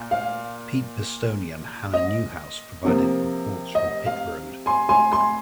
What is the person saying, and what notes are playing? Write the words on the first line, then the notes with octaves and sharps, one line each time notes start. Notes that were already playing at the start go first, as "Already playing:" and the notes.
Pete Pistone and Hannah Newhouse provided reports from pit road.
Already playing: A#2
F5
D#5
C3 F3 A#3
D#5
F5
G#5 C6
G#5 C6
G#5 C6